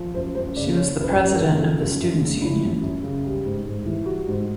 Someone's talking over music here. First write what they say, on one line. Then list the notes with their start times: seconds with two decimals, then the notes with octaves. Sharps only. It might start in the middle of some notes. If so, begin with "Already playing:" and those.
She was the president of the students union.
Already playing: F3
0.14 F#2 C5
0.35 F#2 C5
0.56 C#3 D5
0.76 F3 C#5
0.98 F#2
1.04 B4
1.19 F#2
1.32 A#4
1.38 C#3
1.59 F3 A4
1.80 F#2
2.01 F#2
2.21 C#3
2.42 F3 E4
2.62 F#2
2.82 F#2
3.03 C#3
3.24 G3
3.45 G#2
3.66 G#2
3.86 E3
4.06 G3 F#4
4.28 G#2